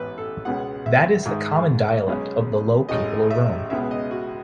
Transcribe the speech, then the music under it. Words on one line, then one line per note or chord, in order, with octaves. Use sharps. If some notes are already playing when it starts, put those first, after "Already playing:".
That is the common dialect of the low people of Rome.
Already playing: A1 G#2 E3 B3 B4
A4
C#2 B2 G#3 B3 F#5
E5
G#2 D#3 G#3
B1 B2 G#3 C#4
A1 A2 G#3 D#5
E5
C#2 B2 G#3 B3 E5
D#5
F#4